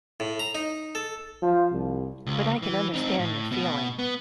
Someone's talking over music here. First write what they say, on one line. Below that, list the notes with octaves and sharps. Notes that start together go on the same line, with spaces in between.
But I can understand your feeling.
A2
A#5
D#4
A4
F3
C2
C#2
E3
C4 D#4
A2
B2
B3